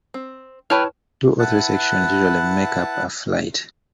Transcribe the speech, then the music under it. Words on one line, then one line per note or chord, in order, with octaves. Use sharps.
Two or three sections usually make up a flight.
C4
E4 B4 C#5 G5 A5 F6
E4 B4 F#5 A5 F#6